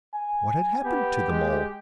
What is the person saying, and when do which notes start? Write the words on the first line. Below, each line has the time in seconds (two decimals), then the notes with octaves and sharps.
What had happened to them all?
0.14 G#5
0.85 B3 G4
1.31 G#3